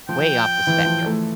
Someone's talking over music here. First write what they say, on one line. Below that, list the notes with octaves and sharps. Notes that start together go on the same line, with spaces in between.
way off the spectrum.
F3 G5
E3
F3
A3